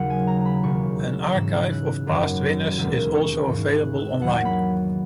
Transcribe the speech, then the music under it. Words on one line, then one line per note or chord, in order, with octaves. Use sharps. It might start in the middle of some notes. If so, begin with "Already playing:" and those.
An archive of past winners is also available online.
Already playing: D#2 C#3 F#3 F#5
G#5
A#5
A#5
B5
E1 D#2 C#3 C#6
E6
G#2 E3 G#3 C#4 E6
F#6
F#1 F#2 D#3
E1 D#2 D#3 G#3 E6
C#6
G#1 G#2 E3
F#6
E6
E2 D#3 F#3 A#3 F#5
B5